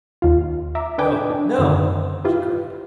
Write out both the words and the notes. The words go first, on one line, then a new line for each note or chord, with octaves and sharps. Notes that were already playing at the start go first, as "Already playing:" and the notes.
"No, no," she cried.
D#2 F4
E5 A#5 D6
D4 A4 B4 G5 G#5 D6
D4
F#2 D3 D#3
E4 F4 G4 B4